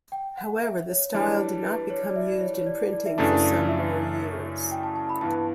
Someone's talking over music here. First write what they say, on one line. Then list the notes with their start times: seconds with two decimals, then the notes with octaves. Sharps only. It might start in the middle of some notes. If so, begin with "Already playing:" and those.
However, the style did not become used in printing for some more years.
0.12 G5
0.37 F#5
0.63 E5
0.89 C#5
1.14 E3 G3 D4 C#5
1.65 B4
1.90 C#5
2.10 D5
2.16 E5
2.28 D5
2.41 C#5
2.54 C#5
2.66 D5
2.93 D5
3.06 E5
3.18 F#2 C#3 E3 A3 D4 D5
3.69 E5
4.71 G5
4.83 A5
4.96 A5
5.09 B5
5.21 G2 E3 B3 A5